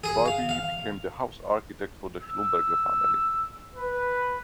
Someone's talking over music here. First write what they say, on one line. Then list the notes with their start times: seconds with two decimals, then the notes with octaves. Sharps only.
Barbe became the "house architect" for the Schlumberger family.
0.04 G#4
0.26 F5
0.49 F5
2.22 E6
3.75 B4